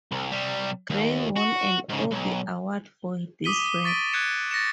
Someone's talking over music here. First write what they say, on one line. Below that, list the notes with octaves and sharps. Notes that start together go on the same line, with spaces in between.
Gray won an Obie award for this work.
C2
C3 G3
D#2
F#4
G#2 C#3
B1
D6 D#6 B6 D#7 G7
C#6 A6 B6 D7 D#7
F#6 G#6 C#7 E7
A6 A#6 C#7 E7